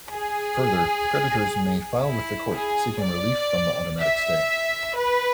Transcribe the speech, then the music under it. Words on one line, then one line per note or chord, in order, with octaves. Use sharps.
Further, creditors may file with the court seeking relief from the automatic stay.
G#4
E4
G#4
D5
E5
B4